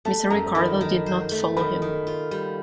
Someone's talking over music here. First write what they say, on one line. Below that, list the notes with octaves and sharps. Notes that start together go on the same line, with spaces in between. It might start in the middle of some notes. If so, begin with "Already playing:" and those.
Mr. Ricardo did not follow him.
A3 A5
F#2 A#5
D#3 B5
D#3
C5
A3
D#3 B5
D#3
F4
G3